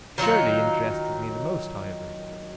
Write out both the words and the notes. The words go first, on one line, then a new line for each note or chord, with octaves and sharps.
Shirley interested me the most, however.
D#3 F#3 D#4 F4